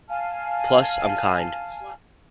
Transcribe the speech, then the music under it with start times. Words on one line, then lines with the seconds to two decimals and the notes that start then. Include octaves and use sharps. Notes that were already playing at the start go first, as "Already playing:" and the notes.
Plus I'm kind.
0.09 F5 G#5 A5 F6